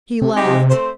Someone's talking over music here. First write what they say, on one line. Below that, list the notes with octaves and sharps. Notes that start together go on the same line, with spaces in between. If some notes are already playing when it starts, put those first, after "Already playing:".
He laughed.
C3
G#3 D#4 G4
A3 C4 C5